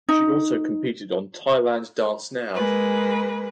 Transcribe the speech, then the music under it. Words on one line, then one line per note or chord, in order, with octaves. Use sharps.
She also competed on "Thailand Dance Now".
D#4
G#3 A#3 B4